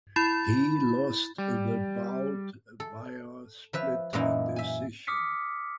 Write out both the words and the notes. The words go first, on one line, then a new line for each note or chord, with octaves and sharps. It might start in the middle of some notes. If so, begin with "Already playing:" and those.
He lost the bout via split decision.
E4 B5 A6
G3
A4
F3 B4 E5
F#2 A#2 E3 A#3 D#4 E4
E5 G#5
D6 D#6 F6 B6 C#7